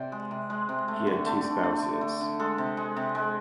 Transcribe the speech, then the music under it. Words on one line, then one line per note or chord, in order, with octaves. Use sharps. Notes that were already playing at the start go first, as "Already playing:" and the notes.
He had two spouses.
Already playing: C3 C5 D5
G#3
C3
G#3
C3
A3
D3
A3
D3
A3
D3
A3
D3
G#3 A4
C3
G#3
C3
G#3